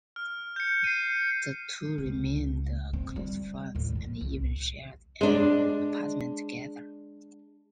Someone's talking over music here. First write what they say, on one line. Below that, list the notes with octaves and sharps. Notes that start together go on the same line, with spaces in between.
The two remained close friends and even shared an apartment together.
F6
G6 C#7
C7 D#7
C#2
C4
G3
D#2 A2
F3
C2
G#3 D4